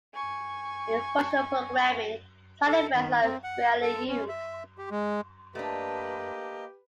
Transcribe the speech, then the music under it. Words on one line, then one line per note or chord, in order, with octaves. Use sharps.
In functional programming, side effects are rarely used.
G#5 C#6
A4
D#3
C4
F#5
A4
C#4
E5
G4
G#3
A3 A#3 D4 G4 B4 D#5